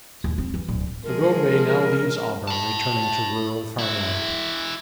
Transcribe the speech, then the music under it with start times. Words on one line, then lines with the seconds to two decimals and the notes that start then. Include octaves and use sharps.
The roadway now leaves Auburn, returning to rural farmland.
0.24 D#2
0.38 C4
0.54 E3
0.68 D1
1.03 F3 G#3 G#4 A#4
2.48 A5 B5
3.79 E4 F#4